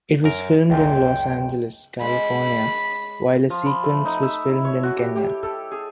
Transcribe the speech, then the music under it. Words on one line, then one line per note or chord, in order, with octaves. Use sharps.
It was filmed in Los Angeles, California, while a sequence was filmed in Kenya.
F#2 A#4
C#2 F#2 A#2 G5
G#3 B5
F3
B5
A3
D#4
E5
E4
C#5
F#4
G4
G4
A4
G#4